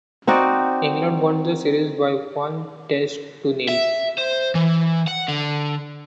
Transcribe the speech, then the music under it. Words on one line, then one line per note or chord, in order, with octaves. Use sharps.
England won the series by one Test to nil.
C4 D#4 F#4 D5
E5
C5
E3
F#5
D3